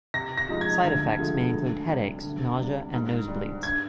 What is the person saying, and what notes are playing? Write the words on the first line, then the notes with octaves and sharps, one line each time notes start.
Side effects may include headaches, nausea and nose bleeds.
C3 A#6
A#6
F3 G#3 D#4
G#6
D2 G#6
D3 F3 G#3
D2
C3 G3
D2
C3 G3
G#2
G3 D4
G2 G#6